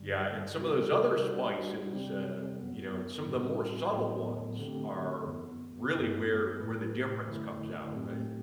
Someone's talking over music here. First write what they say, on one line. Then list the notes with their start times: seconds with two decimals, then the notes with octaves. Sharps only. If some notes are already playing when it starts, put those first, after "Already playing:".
Yeah, and some of those other spices, uh, you know, some of the more subtle ones are really where where the difference comes out, right?
Already playing: G2 D3 G3
0.58 C3 G3 C4 F#4
1.25 G3 D4 F#4 C5
1.91 C3 G3 C4
2.59 F#2 F#3 B3
3.25 A2 E3 G3 C4 F#4
3.92 A2 F#3 B3
4.59 D3 A3 C4 G4
5.26 F#2 E3 B3
5.93 G2 E3 B3
6.60 A2 E3 A3 E4 B4
7.26 F#2 D3 A3 E4
7.94 A2 F#3 A3 C4 G4